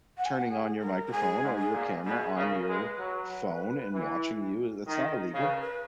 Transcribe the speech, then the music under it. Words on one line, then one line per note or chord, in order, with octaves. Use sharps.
turning on your microphone, or your camera on your phone, and watching you, it's not illegal.
F#5
G#5
F#5
G#4
A#4
A#4
G#2 G#4
G#2
G#4
A#2
B2 G#4
C#3 A#4
G#3 B4
F#3
E3
D#3 D#5
C#3 C#5
B4
A#4
B4